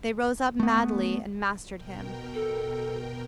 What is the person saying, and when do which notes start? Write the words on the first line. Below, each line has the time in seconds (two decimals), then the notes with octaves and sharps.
They rose up madly and mastered him.
0.60 A3 B3
1.74 B2 A#4 G5
2.34 A4